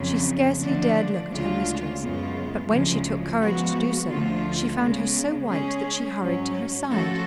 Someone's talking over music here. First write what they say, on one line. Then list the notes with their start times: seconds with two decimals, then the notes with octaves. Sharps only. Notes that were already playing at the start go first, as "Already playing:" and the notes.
She scarcely dared look at her mistress, but when she took courage to do so, she found her so white that she hurried to her side.
Already playing: F2 C#3 F#3
0.60 D3 F3 A3 D4
1.30 D2 C#3 G#3 D4 F4
1.99 F#2 C#3 G#3 B3 F4
2.69 D2 C#3 F3 G#3
3.39 F3 G#3 B3 F#4
4.09 D2 D3 F3 A3 F4
4.80 C#3 G#3 B3
5.49 G#3 C#4 G#4
6.19 G#2 F#3 C#4
6.89 F3 A3 C#4 F#4 A4